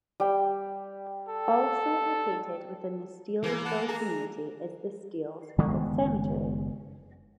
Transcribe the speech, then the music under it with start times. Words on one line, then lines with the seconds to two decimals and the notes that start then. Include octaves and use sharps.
Also located within the Steelesville community is the Steelesville Cemetery.
0.20 G3 G5
1.28 A4
3.44 E3 A#3
3.65 F#5 A5
3.88 G#4 A#5
5.58 F#1 D#3 G#3 B3